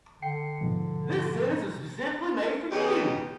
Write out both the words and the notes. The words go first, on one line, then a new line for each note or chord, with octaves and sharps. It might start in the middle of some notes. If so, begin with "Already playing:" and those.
This sentence was specifically made for you.
D3 G5 C7 C#7
G#2 B2 F3
E2 C#3 B3 D#4 G4 D#5